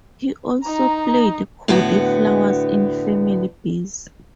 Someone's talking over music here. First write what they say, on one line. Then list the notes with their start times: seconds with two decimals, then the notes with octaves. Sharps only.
He also played Cody Flowers in "Family Biz".
0.63 D#4 A#5
1.68 A2 D3 B3 F#4